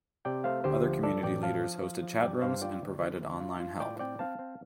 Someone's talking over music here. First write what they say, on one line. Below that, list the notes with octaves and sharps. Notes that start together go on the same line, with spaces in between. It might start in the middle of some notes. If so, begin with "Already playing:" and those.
Other community leaders hosted chat rooms and provided online help.
C3 D5 G5
A3 C5 F5
D2 G4 C5
F3
D4 A4 D5
A1 D5 G5
F3 F5 A5
F3
F3
F3
G2 D5 G5
G2 C5 F5
F4 D5 G5
D2
D3
D2
F4
F4
A2 D5 G5
C4 D5 G5
C4 F5 A5
C4